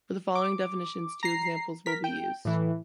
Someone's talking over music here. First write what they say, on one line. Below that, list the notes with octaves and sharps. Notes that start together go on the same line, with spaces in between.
For the following definitions, two examples will be used.
D6
A#5 C7
A#4 B6
G5
A2 E3